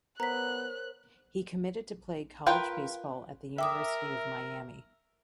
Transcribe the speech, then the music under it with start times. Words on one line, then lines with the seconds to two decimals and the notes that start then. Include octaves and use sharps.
He committed to play college baseball at the University of Miami.
0.20 B3 A#4 C5 C#5 A#5 F#6 B6
2.47 F4 A#4 B4 F5 G5
3.58 A#4 E5 G5 D6 D#6